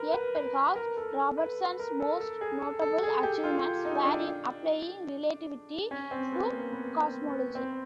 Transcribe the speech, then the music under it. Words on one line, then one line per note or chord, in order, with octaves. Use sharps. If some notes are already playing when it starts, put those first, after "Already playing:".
Yet perhaps Robertson's most notable achievements were in applying relativity to cosmology.
Already playing: A#4 B4
B4
B4
B4
A#4
A4
B4
A#4
A4
A4
G#4
A4
A4
G#4
G4
F4
D#4
D4
C#4
C4
B3
A#3
B3
C4
B3
C4